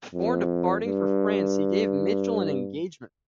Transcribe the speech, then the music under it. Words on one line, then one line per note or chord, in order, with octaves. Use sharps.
Before departing for France, he gave Mitchell an engagement ring.
F2
G2